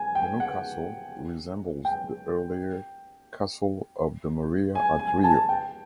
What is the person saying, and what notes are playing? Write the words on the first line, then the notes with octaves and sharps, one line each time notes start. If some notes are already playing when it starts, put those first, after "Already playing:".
The new castle resembles the earlier Castle of the Morea at Rio.
Already playing: G#5
G5
F#5
G5
G#5
G#5
G#5
A5
G5